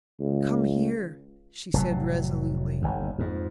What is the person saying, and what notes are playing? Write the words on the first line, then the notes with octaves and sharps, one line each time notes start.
"Come here," she said resolutely.
C#2
F1 A2 F#3
G1 D#2
F2 G#2